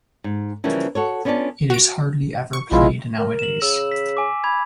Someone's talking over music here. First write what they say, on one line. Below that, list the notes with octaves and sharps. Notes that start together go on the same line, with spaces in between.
It is hardly ever played nowadays.
G#2
C#3 E3 F3 G3 A#3
F#4 A4 C#5
B3 C#4 D4 F4 D5 A5
F#4 D7
C#6
A#1 B2 G#3 E4 F4
A#4
E7 F#7
C#3 E6
B6
G#5 D6
B5 G#6